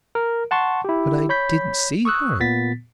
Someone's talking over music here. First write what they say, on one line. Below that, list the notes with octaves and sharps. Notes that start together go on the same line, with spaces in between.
"But I didn't see her."
A#4
F#5 A5 C6 C#6
E4 G4
C#5 B5 G6 B6
C#6 D#6 E6 F#6
A#2 B3 A6 B6